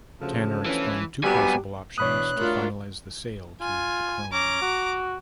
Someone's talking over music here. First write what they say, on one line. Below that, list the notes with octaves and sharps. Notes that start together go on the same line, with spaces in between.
Tanner explained two possible options to finalize the sale to the "Krone".
D2 C#3 F3
E3 C#4
F#3 G3 B3 C4 D4 G4 G#5
B2 E3 D4 C#5 B5 D#6 F#6
A3 D4 F4 F#4 A#4
F4 G#5
C#4 A#5 D6
F#4